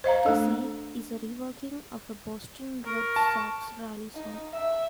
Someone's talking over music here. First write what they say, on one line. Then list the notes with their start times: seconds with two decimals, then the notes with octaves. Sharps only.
"Tessie" is a reworking of a Boston Red Sox rally song.
0.04 C5 D#5 F5 A#5
0.26 A3 D4 A4
2.86 A#4 C#6
3.16 A5
4.15 D#4
4.53 E5